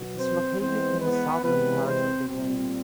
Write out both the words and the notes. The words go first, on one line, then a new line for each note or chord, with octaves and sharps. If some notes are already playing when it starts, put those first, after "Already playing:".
It is located in the southern part of the range.
Already playing: B2 F#3 B3
C4 C5
E3 G#3 B3 C4 C5
B3 B4
C3 E3 G#3 B3 B4
C4 C5
A#2 G3 C4